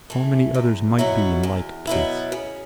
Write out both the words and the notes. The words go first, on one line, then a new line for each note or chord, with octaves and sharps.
How many others might be in like case!
E3 A3
E2
B2 F#3 B3 E4
E2
B2 F#3 B3 E4
C#3